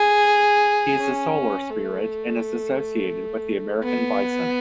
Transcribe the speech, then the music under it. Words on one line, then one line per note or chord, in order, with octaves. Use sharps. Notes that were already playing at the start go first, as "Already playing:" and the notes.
He is a solar spirit, and is associated with the American Bison.
Already playing: G#4
C#4
A3
B3